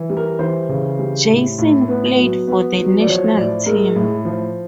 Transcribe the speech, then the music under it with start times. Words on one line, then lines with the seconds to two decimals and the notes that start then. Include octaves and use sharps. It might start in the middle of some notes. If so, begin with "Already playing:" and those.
Janson played for the National Team.
Already playing: E3
0.10 G3
0.17 A#4
0.39 E3 C5
0.69 C#3
0.99 G3
1.29 A2
1.58 A2
1.88 B3
2.17 F#3
2.47 B3
2.77 F#3
3.00 D5
3.07 F3 C#5
3.37 A2 D5
3.66 G#3 A#4
3.95 A2
4.25 F3